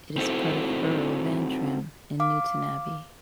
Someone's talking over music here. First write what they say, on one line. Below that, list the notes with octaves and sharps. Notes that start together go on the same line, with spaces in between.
It is part of the Borough of Antrim and Newtownabbey.
C4 D#4 E4 F#4 A4 C5
F5 D6